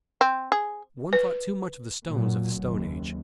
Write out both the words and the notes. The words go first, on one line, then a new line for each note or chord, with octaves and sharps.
One thought too much of the stones of the Stone Age.
C4
G#4
B4
A#2 F#3
F#1 D#2